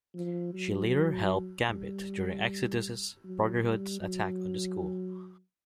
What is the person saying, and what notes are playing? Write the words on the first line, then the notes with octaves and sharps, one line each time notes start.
She later helped Gambit during Exodus's Brotherhood's attack on the school.
F3
F#3
G3
F#3
G3
F#3